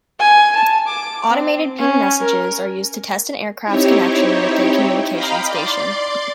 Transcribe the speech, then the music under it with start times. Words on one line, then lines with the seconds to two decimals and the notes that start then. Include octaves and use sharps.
Automated ping messages are used to test an aircraft's connection with the communication station.
0.20 G#5
0.56 A5
0.87 D6
1.31 C4
1.79 C#4
2.21 A#4
3.63 C4 D#4 E4 G4 C#5
5.10 D#5 F5 G5 A#5 B5
5.43 D5 C6 D6